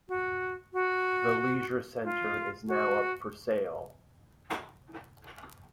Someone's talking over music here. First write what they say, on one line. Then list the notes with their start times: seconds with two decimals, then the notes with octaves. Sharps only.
The leisure centre is now up for sale.
0.09 F#4
0.73 F#4
2.03 F4
2.68 F#4